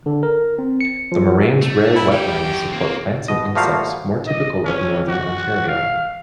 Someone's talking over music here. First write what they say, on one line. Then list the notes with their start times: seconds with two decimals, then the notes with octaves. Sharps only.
The moraine's rare wetlands support plants and insects more typical of northern Ontario.
0.06 D3
0.23 A#4
0.58 C4
0.81 C#7
1.12 F3
1.62 A3
1.96 E4
2.11 C#3 G3 G4
2.44 F#2
2.73 A#3 C4
3.28 B2 D#5
3.55 F3 G3 A3 A#3 F#4 F5
4.27 D#5
4.65 C#4
5.08 F#4
5.68 F5